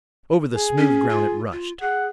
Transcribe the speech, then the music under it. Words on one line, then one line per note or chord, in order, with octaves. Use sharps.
Over the smooth ground it rushed.
G#4
C#4
F4
F4
G#4 F#5